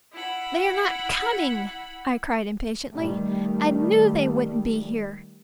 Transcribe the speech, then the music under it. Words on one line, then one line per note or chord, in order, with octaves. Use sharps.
"They are not coming!" I cried impatiently, "I knew they wouldn't be here!"
E4 F#5 B5
D#3 G3 A3